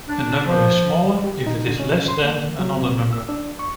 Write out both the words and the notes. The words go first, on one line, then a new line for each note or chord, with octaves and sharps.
A number is smaller if it is less than another number.
D4
F3
G4
D#4
D3
C#4
C6
A#3
F#3
C3
A#2
E6
D4
C#6